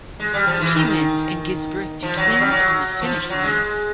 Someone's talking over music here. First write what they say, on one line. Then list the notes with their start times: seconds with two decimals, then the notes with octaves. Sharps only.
She wins, and gives birth to twins on the finish line.
0.20 G#3
0.33 G3
0.47 F3
0.61 E3
0.75 D#3
2.03 F3
2.17 F#3
2.30 F#3
2.40 G3
2.50 F#3
3.02 F3
3.30 F#3
3.44 G#3